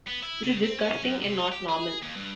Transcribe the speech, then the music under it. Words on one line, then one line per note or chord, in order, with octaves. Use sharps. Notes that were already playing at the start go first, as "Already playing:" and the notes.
This is disgusting and not normal!
B3
E4
C#3
C4
C#4
F#2
C3
D#4
G4
G#4
D#2
G2